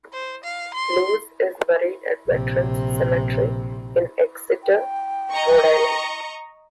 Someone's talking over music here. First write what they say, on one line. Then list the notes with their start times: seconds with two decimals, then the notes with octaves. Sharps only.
Luz is buried at the Veterans Cemetery in Exeter, Rhode Island.
0.13 C5
0.44 F5
0.74 C6
2.28 A#1 C3
4.63 G5
5.31 D#5 A#5 C#6